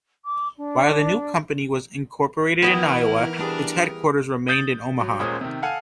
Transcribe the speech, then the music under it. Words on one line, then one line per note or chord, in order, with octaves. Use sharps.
While the new company was incorporated in Iowa, its headquarters remained in Omaha.
D6
D4
E3 B3 E4 A#4 D#5 G5 B5
G3 D4 G#4 B4
D#6 G6 A6 F#7
F#3
D#1 A#2 G#3 C#4 C5 D#6
C3 D#3
A4 F5 F#5 G#5